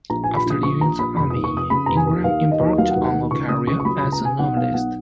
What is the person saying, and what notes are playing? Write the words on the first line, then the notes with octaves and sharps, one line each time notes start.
After leaving the Army, Ingram embarked on a career as a novelist.
A#1 A#5
A#2 G#5
B5
A#1 D#6
F3 C#6
A#1 A#5
A#2 B5
F1 B5
D#6
D#2
C#6
F1 D#6
C#3 B5
F1 A#5
G#5
D#2
D#2 F5
D#3
D#5
D#2
F#3 F5
F#5
D#2
F#5
D#3
C#2 C#6
C#3 D#6
C#2 C#6
C#6
F#3 B5
B5
C#2
A#5
C#3 G#5
B1 F#5
B2 F5
B1 F#5